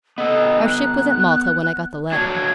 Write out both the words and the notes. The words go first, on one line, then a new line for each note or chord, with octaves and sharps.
Our ship was at Malta when I got the letter.
B3 A4 D#5
F#6
D4 F#4 C#5 G#6